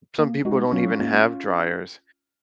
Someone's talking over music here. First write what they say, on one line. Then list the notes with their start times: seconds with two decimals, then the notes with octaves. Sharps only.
some people don't even have dryers.
0.18 A#3
0.45 G#3 D#4 F#4
0.72 F#3 C#4 F4
1.00 A#3 C#4 F4